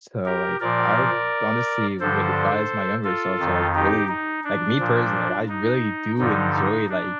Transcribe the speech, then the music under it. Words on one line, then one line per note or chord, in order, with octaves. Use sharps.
so, like, I w honestly would advise my younger self to, like, really like, me personally, I really do enjoy, like,
G4 A#4
A#2 F3 A#4 D5
G2 D3 F3 A4 C5
F4 A4
F2 D#3
D#4 G4
D#4
D4
A#2 F3
D#4
G2 D3 F3 D#4
D#4
D4